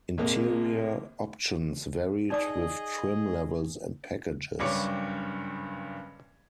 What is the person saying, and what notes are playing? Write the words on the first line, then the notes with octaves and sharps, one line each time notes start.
Interior options varied with trim levels and packages.
A#1 C3 G#3 A#3
D#4 G#4 D5 D#5 D6
F#1 G2 G3 C#5 D6 C#7